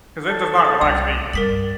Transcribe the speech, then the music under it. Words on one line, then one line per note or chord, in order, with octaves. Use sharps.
'Cause it does not relax me.
A4
D#6
C2 D5 G5 D#6
G2 A#4 B6 F#7